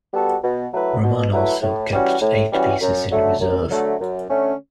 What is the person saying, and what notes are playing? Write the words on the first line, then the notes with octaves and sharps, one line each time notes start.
Roman also kept eight pieces in reserve.
G3 B3 F#4 A4
B2
F#3 A3 E4 B4
B2
F#3 A3 E4 B4
A2
E3 G3 C#4 F#4
A2
E3 G3 C#4 F#4
F#2
D3 F#3 A3
F#2
D3 F#3 A3
F#2
D3 A3 C#4